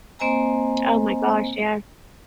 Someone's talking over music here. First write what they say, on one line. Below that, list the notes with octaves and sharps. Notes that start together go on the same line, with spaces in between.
Oh, my gosh, yeah.
A#3 C4 C5 D#5 G#5 A#5